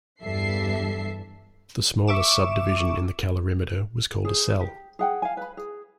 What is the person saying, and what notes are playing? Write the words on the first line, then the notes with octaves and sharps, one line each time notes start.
The smallest subdivision in the calorimeter was called a cell.
E2 G2 A4 E5 C7
E5 C#6 D6 E7
G#4 C5
G4
G#4 F#5 G5
F5 G#5
B4 B5
G#4